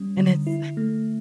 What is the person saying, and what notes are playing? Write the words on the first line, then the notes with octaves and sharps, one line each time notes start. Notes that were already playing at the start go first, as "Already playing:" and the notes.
And it's
Already playing: G3 C#4
D3
E4
A3